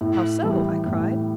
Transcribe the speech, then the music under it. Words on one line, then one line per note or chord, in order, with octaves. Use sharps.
"How so?" I cried.
A2
E3 G3
A2